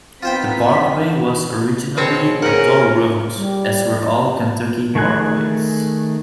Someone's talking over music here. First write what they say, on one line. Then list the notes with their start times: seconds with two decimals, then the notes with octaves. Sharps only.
The parkway was originally a toll road, as were all Kentucky parkways.
0.23 B3 C4 D#4 F4 C5 G5 B6
1.97 B2 C4 G#4 C#5
2.42 C#4 G#4 A#4 F#5
3.36 G3
4.95 D#3 A3 G#4 G#5 F#6